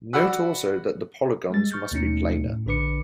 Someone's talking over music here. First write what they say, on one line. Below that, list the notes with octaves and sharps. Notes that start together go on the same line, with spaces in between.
Note also that the polygons must be planar.
F#4 D5 F#5 B5 E6 F#6
G3 G#3 A6
C#6 F6 G6 A6
D#2 B2 A3 C#4 D#4 C#7
A2
A#1 D3 D4 B4 D6 C#7